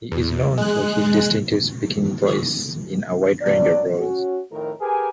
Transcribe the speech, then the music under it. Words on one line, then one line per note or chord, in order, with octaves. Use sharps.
He is known for his distinctive speaking voice in a wide range of roles.
E2
G#3 F#6
F#3 B3 D4 D5
C#4 F#4
F2 A2 D#3 A#4
G4 G#4 A#4 B4 G#5